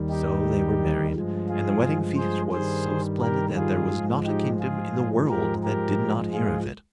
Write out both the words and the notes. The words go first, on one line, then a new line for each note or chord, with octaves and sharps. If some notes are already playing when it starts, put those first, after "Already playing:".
So they were married, and the wedding feast was so splendid that there was not a kingdom in the world that did not hear of it.
Already playing: D#2 D#3 G3
D#4 G4
G2 F3 G#3
F4 G#4
G#4 C5
G2 D#3 G3 G#4 C5
G4 A#4
F4 G#4
G#2 F3 G#3
D#4 G4
F4 G#4
G#2 F3 G#3 G4 A#4
G4 A#4
F4 G#4